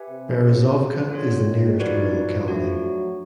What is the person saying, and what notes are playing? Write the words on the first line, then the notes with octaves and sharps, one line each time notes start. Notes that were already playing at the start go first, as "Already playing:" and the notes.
Berezovka is the nearest rural locality.
Already playing: G4 B4 E5 G#5
C3
C#3 D#4 F#4 B4
C#3
D3 F4 G#4 C#5
D#3
F3 D#4 F#4 B4 D5
A3 D4 F#4
F#3